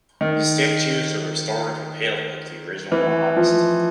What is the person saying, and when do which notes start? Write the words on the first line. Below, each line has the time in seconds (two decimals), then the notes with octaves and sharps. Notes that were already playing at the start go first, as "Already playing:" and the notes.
The statues were restored with help of the original artist.
0.21 D#3
2.92 E3
3.36 F3